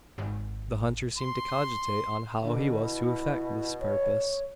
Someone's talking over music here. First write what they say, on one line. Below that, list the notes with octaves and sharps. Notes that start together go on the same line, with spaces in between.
The hunter seemed to cogitate on how he was to effect this purpose.
G#1
C6
B2 D3
E4
C#5